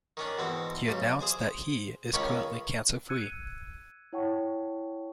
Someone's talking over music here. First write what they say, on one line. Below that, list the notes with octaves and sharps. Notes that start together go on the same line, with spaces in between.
He announced that he is currently cancer-free.
D#3 C#4 D4
E2 B2 C4
B1 C#3
G#4 C5 G#5 D6
C#2 D#3 C#4 C#5 B5
E6 F#6 G#6 C#7 D#7
E4 C#5 F#5 G5 A5 C#6